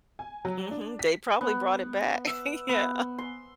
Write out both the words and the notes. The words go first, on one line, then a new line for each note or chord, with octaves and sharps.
Mhm. They probably brought it back. Yeah,
G#5
F#3
D4
B6
B3
E5
B3
C6